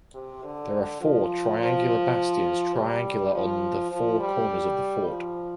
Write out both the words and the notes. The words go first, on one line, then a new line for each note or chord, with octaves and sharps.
There are four triangular bastions triangular on the four corners of the fort.
C3
D3
F3
F3
G3
F3
F3
G3
F3